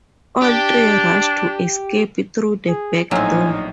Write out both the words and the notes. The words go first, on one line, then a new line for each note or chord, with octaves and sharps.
All three rush to escape through the back door.
D4 G4
G#4
A#1 A2 F#3 C4 D#4 G#5 F6